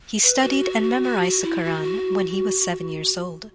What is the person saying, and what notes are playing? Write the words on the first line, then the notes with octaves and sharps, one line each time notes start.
He studied and memorized the Qur'an when he was seven years old.
B4
F#4
F#4
F#4
F#4
F#4
E4
F#4
F#4